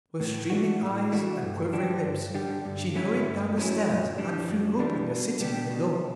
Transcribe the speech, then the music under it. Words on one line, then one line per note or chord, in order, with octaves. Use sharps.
With streaming eyes and quivering lips she hurried down the stairs and threw open the sitting-room door.
A2
E3 A3 D4 F#4
A2
E3 A3 D4 F#4
G2
D3 G3 D4 G4
G2
D3 G3 D4 G4
G2
F#3 A3 C#4 E4
G2
F#3 A3 C#4 E4
F#2
E3 G3 D4
F#2
E3 G3 D4
B2
G3 B3 D4 G4
B2